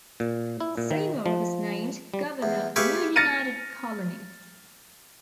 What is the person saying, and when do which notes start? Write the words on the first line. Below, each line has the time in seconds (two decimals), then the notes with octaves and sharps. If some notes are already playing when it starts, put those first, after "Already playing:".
Seymour was named governor of the new united colony.
0.20 A#2
0.60 E4
0.77 A#2
0.91 D#3
1.26 F3
2.14 G3
2.43 E2
2.76 G4 G#4 B4 E5 F5 C#6
3.16 F6 A6 A#6 C#7 D#7